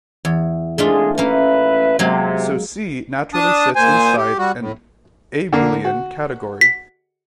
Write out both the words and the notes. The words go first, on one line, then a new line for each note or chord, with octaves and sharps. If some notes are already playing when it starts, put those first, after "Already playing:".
So "C" naturally sits inside an abelian category.
E2
C2 G#3 A3 D4 F4 G#4
A1 A#3 C#4 B4 E5
C3 F#3 G#3 A#3
D4 A5 D#6
A#2 C5 G#5
G4
G3 F#4
A2
D3 A#3
F#4
B6